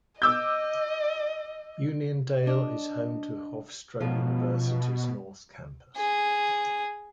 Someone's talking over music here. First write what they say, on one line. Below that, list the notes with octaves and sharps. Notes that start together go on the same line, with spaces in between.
Uniondale is home to Hofstra University's north campus.
D#5 D6 E6 G6
D4 D#5
F#2 B2 F3
G#4